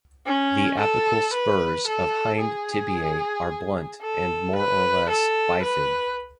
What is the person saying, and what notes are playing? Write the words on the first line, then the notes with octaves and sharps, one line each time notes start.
The apical spurs of hind tibiae are blunt and more or less bifid.
C#4
A4
B4
A4
G#4
A4
B4
A4
B4